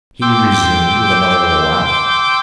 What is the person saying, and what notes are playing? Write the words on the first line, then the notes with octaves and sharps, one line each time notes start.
He resumed with another little laugh.
G5 C6 D6 E6 G6